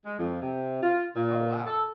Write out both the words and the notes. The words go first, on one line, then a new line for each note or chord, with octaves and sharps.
Oh, wow.
G#3
F2
C3
F4
A#2
A4